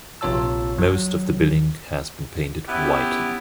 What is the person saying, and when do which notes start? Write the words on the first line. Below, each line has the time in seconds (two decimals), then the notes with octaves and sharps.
Most of the building has been painted white.
0.21 A#1 C3 F4 C#5 A5 E6
0.78 F#3
2.67 B3 C#4 E4 G4